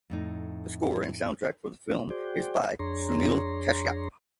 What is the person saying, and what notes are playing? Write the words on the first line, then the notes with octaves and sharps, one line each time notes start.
The score and soundtrack for the film is by Sunil Kashyap.
F2 A2 D#4
F#4 G#4 C5 D5 G5
F2 D4 G#4 C#5 A#5 C6